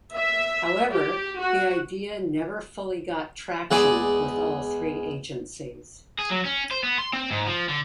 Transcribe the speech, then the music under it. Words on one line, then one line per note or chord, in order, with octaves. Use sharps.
However the idea never fully got traction with all three agencies.
E5
G4
F#4
E2 G#3 G#4 D5
G#4
F#3
C#4
C5
B3
C6
C4
G#2
F3
D3